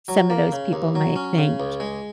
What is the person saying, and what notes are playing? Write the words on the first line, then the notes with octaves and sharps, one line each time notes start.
some of those people might think,
F#3
A#3
C#3
D#2
F#3
C#4
C#3
C#2
G#3